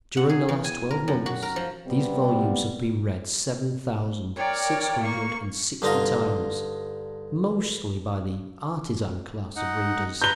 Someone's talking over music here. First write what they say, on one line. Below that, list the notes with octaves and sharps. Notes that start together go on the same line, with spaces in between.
During the last twelve months these volumes have been read seven thousand six hundred and sixty times, mostly by the artisan class of readers.
F#5
G#4
E2
G#5
A#4
F#2
F#4
A#4
F3
C3 G3 B3
A#4 C#5 D5 G5
A#3 F5 C#6
G2 D3 D#4 F4 A#5
D#4 F#5
B4 A#5 G6 G7